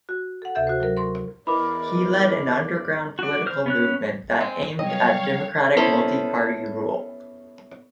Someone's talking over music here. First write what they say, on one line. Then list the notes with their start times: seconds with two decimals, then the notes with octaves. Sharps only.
He led an underground political movement that aimed at democratic multi-party rule.
0.09 F#4
0.42 A4 F#5
0.55 D2 C3 A4 E5 F#5 G6
0.67 F#4 C5
0.80 F#3 F#4 A#4
0.97 A#4 C6 C#6
1.47 E2 E4 A#4 B4 D5 D#5 B5 D6
3.19 F#4 D5
3.46 C5 F6
3.66 B3 C#4 F#6
4.40 G#3 C4
4.79 C3 F#3 G3 C#5 D#5 F5 G5
5.77 B3 C#4 E4 A4 C5